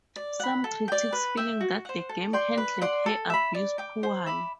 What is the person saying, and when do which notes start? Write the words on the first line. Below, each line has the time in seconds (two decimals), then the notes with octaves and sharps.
Some critics feeling that the game handled her abuse poorly.
0.16 D5
0.40 F#5 B5
0.64 A4
0.88 D5 G5
1.13 B4
1.37 E5 G5
1.61 F#4
1.85 C5 F#5
2.09 A4
2.33 D5 G5 C6
2.58 B4
2.81 D5 F#5 C6
3.06 A4
3.30 E5 B5
3.55 D5
3.78 G5 D6
4.03 C5
4.26 E5 B5 D6